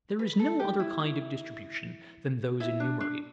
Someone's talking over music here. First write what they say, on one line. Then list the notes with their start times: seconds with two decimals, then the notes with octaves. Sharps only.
There is no other kind of distribution than those enumerated.
0.19 B4
0.39 A4
0.60 G4
0.79 E4
1.00 E4
2.60 E4
2.80 D4
3.00 D4